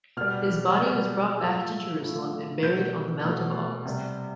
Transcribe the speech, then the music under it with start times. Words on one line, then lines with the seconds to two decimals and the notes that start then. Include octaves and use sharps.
His body was brought back to Jerusalem and buried on the Mount of Olives.
0.17 B2 G3 F6
0.79 B2 G3
1.40 A2 F3 A3 E6
2.01 A2 F3 A3
2.63 B2 A3 G6
3.24 B2 A3
3.85 C3 G3